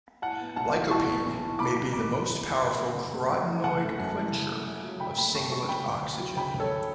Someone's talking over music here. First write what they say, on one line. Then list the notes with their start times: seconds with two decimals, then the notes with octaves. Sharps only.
Lycopene may be the most powerful carotenoid quencher of singlet oxygen.
0.22 A2 F#5 A5
0.40 B3
0.56 B1 F#5 A5
0.74 E3
0.90 A2 A5 C#6
1.08 B3
1.25 B1
1.43 E3
1.59 E2 B5 D6
1.77 G3
1.93 F#1 B5 D6
2.11 D3
2.28 E2
2.45 G3
2.61 F#1
2.79 D3
2.95 C#3
3.13 A3
3.30 F#2
3.46 E3
3.64 C#3 F#5 A5
3.81 A3
3.99 F#2
4.15 E3
4.32 C#3
4.49 A3
4.66 F#2
4.84 F#3
5.00 C#3 G5 B5
5.17 A3 G5 B5
5.35 F#2 A5 C#6
5.52 F#3 A5 C#6
5.69 C#3 G5 B5
5.86 D2
6.02 D2
6.19 F#3
6.37 C#3 G5 B5
6.54 D2
6.60 A4 C#5